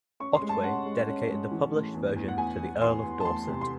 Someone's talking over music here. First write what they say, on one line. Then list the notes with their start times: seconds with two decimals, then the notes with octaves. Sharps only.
Otway dedicated the published version to the Earl of Dorset.
0.20 C#4 C#6
0.35 C6
0.42 G#3
0.49 A5
0.64 C#4 F#5
0.86 G#3
1.08 C#4
1.29 G#3
1.51 E3
1.73 A2
1.94 E2
2.16 E2
2.28 F#5
2.38 E2 G#5
2.59 E2
2.82 E2 C6
3.03 E2
3.20 A5
3.25 E2 C6
3.47 C3
3.61 C6